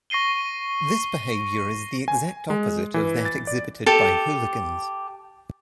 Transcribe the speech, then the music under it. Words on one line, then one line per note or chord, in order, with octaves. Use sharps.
This behavior is the exact opposite of that exhibited by hooligans.
C#6 A#6 C7 D#7 G7
G#5
G#3
E3
A6
D5
G4 A4 A5